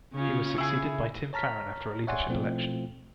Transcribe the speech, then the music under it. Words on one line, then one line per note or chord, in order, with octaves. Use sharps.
He was succeeded by Tim Farron after a leadership election.
C#3 C#4 F4
C#3 E4 G#4
C#5 A5 A#5 F6 B6
C#5 D5 E5 F#5 G#5 C6
B2 F3 A3 C4 E4 F4